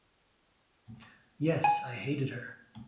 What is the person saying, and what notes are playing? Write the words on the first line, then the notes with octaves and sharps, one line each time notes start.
Yes, I hated her.
G#5